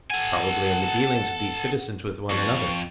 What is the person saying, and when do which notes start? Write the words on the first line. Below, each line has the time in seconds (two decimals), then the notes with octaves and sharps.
Probably in the dealings of these citizens with one another.
0.11 A4 F#5 G#5
2.30 F2 C#6